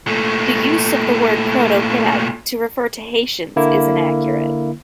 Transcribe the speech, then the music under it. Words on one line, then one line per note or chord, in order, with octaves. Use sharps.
The use of the word "Proto-Hittite" to refer to Hattians is inaccurate.
A#2 A3
D3 A#3 E4